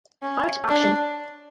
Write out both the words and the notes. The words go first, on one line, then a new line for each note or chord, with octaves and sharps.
Art Auction.
C#4
D4